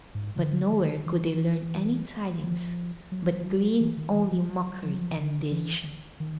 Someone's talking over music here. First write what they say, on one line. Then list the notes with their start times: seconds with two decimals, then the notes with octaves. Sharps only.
But nowhere could they learn any tidings, but gleaned only mockery and derision.
0.15 G#2
0.37 D3
0.72 D#3
1.06 E3
2.43 F3
3.12 F#3
3.41 F3
3.46 F#3
3.80 E3
3.97 D#3
4.15 E3
4.31 F3
4.49 F#3
4.83 F3
4.91 F#3
4.99 F3
5.17 D3
5.51 E3
6.20 D#3